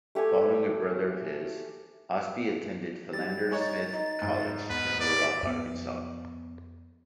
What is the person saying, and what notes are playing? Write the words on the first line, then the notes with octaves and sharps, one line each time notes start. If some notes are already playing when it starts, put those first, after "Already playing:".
Following a brother of his, Ausbie attended Philander Smith College in Little Rock, Arkansas.
A3 G4 A4 G#5
G3 A6
G#3 D#4 C#5
D#4
G#2
E2 B4
D5
F2 B3